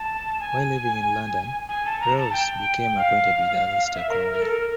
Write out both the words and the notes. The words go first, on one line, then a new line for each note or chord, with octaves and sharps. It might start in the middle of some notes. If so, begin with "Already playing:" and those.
While living in London, Reuss became acquainted with Aleister Crowley.
Already playing: A5
G#5
G#5
A5
A#5
A5
G5
F5
E5
A#4
A#4
A4
A#4